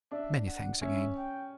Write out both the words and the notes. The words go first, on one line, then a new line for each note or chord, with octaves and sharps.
Many thanks again.
D4 E5
F#5
C#4 E5
G5